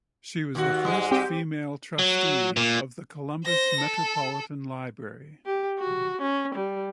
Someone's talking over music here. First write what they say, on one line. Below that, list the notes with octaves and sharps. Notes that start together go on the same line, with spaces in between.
She was the first female trustee of the Columbus Metropolitan Library.
D#2 F#4
G#2 G3 G#3
C4 G4 G5
F#3
A#2
C5 A#6
A4
G4
F#4
C#4
G3